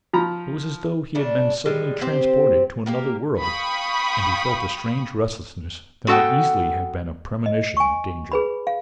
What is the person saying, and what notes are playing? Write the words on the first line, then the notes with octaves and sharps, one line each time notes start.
It was as though he had been suddenly transported to another world and he felt a strange restlessness that might easily have been a premonition of danger.
F3 A#5 B5
C#3 A3 D4
A2 G3 G#3
C4 G4 C5
A#3 G4 A#4
F5 G5 B5 C#6 D#6
B3 F#4 A4 F#5 G5
D#5
G#5 C#6
G#4 B4 B5
F5